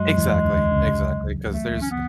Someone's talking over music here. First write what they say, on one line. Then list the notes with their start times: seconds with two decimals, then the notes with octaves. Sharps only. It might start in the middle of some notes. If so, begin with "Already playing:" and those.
Exactly, exactly. 'Cause there's
Already playing: F#2 F#3 G#3
0.18 E2 E3
0.45 D2 D3
0.71 C#2 C#3
1.51 A3
1.81 C#4
1.91 B3